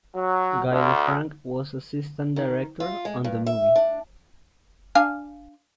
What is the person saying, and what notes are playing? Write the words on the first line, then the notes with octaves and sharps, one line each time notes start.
Guy Lefranc was assistant director on the movie.
F#3
D2
D#3
F4
G#3
G2
E5
D4
D4 F5 G#5